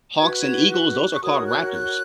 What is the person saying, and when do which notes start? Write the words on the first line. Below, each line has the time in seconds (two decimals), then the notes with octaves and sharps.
hawks and eagles, those are called raptors.
0.19 F#4 B4 G#6
0.41 G#6
0.70 F#6
1.13 C#6
1.22 F#4 A#4 C#5 D#6
1.46 F#6
1.73 F#6